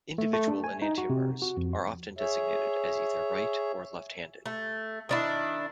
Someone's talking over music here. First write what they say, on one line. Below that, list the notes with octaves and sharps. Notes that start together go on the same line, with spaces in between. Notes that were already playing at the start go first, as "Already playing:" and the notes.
Individual enantiomers are often designated as either "right-" or "left-handed".
A3
A3
D4
G#5
D#4
F#4
C3
F#4
F2
G#4 C#5 E5
A3
D#3 D4 E4